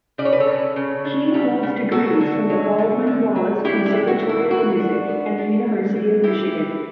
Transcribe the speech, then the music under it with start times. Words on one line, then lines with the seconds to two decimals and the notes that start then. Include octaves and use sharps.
He holds degrees from the Baldwin-Wallace Conservatory of Music and the University of Michigan.
0.18 C#3 D5
0.25 C#5
0.33 B4
0.40 A4 C#5
0.47 C#3
0.76 C#3
1.05 D4
1.34 G3
1.63 C#3
1.91 F#3 F#4 A4
2.20 D3
2.50 F#3
2.79 D3
3.07 D3
3.36 F#3
3.64 D4 E4 G4
3.86 E4 G4
3.93 E3
4.08 F#4
4.22 E3
4.29 E4
4.51 E3 F#4
4.80 D4
5.09 B3
5.38 D4
5.67 E3
5.95 E3
6.24 E3 E4 G4
6.53 E3